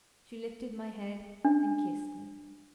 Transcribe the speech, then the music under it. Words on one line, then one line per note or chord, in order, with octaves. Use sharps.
She lifted my head and kissed me.
D4